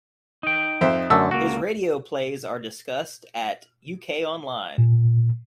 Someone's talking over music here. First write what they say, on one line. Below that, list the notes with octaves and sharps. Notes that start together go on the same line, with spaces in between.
His radio plays are discussed at ukonline.
D#4 G5
F2 C5 E5
F#2 D3 A3 A5 E6
C#2 A#3 F#4
A#2